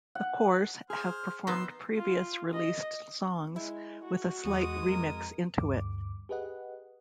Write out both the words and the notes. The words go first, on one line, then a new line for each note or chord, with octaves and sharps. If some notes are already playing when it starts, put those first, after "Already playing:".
The Corrs have performed previous released songs with a slight remix into it.
F#5
G#4 C5 F6
B3 D#4 C6 E6
F4
D#5
G#3 E4
F#4
E2 G#3 D#6
F2 A#4
D2 G2 D6
G4 G#4 B4 D#5 F#5